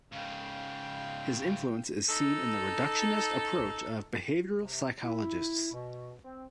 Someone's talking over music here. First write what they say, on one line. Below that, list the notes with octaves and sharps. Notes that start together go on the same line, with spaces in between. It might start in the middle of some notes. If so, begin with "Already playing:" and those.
His influence is seen in the reductionist approach of behavioral psychologists.
G#2 C#3 F5 G5
D#4 A4
C3
E4
B2
C4